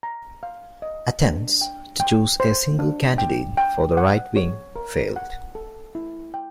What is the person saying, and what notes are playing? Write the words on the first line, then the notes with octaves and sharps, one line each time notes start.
Attempts to choose a single candidate for the right-wing failed.
A#5
F5
D#5
D4
G5
G5
C5
D4
G5
G5
F#5
C#5
A#4
F#5
A4
E4
G5